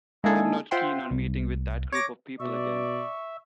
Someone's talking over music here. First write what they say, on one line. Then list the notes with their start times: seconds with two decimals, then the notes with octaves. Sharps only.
I am not keen on meeting with that group of people again.
0.24 G#3 A#3 D4 E4 G#4 A4
0.71 F4 C5 E5 F#5 G5 C6
1.11 C2
1.92 C#5 D6 A#6 D7
2.40 B2 D5 E5 C#6